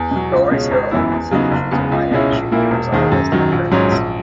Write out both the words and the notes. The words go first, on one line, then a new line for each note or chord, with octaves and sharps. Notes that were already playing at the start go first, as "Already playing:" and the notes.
Low or zero urgency issues are minor and should be resolved as time permits.
Already playing: E2
B2 F#3
C#2
B2 G#3 C#4
G#1
F#2 E3 B3 E4
E2
C#3 F#3 B3 D#4
F#1
E2 C#3 G#3 B3
C#2
B2 G#3 C#4 E4
A#1
A#2 A#3 E4
E1
D#2 D#3 G#3
F#2
D#3 F#3
A#1
G#2 F#3 C#4
A#1